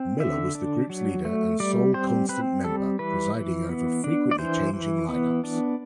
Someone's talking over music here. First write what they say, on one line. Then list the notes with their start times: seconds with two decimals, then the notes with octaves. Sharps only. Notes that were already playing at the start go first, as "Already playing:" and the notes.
Miller was the group's leader and sole constant member, presiding over frequently changing line-ups.
Already playing: C4
0.20 D3 E5
0.55 D4
0.90 F#3
1.25 A3
1.60 G3 D5
1.94 C4 C5
2.29 C4 B4
2.64 G3 A4
2.99 E3 B4
3.35 E3
3.69 B3
4.04 D4
4.31 D5
4.39 E3 C5
4.73 E3
5.09 B3
5.44 D4